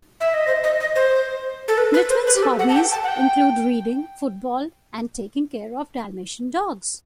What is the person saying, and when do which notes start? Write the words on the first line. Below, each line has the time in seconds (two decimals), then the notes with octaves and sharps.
Lytvyn's hobbies include reading, football, and taking care of dalmatian dogs.
0.20 E5
0.34 D#5
0.47 C5
0.64 D#5
0.80 D#5
0.96 C5
1.68 A4
1.78 B4
1.94 B4
2.10 C5
2.27 B4
2.35 G4
2.43 A4
2.59 F#5
2.69 A5
2.75 G5
2.92 A5
3.04 F#5
3.08 G5